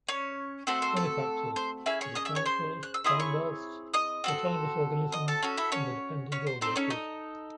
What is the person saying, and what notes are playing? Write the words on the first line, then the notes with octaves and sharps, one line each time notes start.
Benefactors: city councils, commonwealths, autonomous organisms and the dependent audiences.
C#4 C#5
A3 C4 F#4 A4 C5
C5
A4
C5
C#4 E4 G#4 E5
C#5 C#6
D#5 D#6
E5 E6
C#5 C#6
C5 C6
F#6
E6
C4 E4 G#4 D#5 D#6
C#5 C#6
D#5 D#6
C4 F#4 A4
D#5 D#6
A4 A5
C#4 F#4 A4
E4 E5
C#4 C#5
C#4 C#5
C5
C4 D#4 A4 C5
C#4 C#5
D#4 D#5